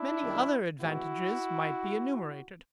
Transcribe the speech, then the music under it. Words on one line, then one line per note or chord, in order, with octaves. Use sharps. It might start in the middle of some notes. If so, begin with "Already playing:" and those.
Many other advantages might be enumerated.
Already playing: D4 E4
F#2 D#3 G3 A#3
A2 E3 G#3 B3 E4 F#4